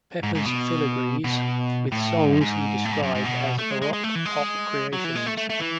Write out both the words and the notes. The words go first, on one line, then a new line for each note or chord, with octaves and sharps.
Pepper"s filigrees", with songs he described as baroque pop creations.
G#2
G#2
B2
B2
A2
G#2
F#2
G#2
A2
G#2
F#2
G#2
B2
A3
G#3
G#3
G#3
A3
E3
G#3
F#3
E3
G#3
A3
A3
A3
E3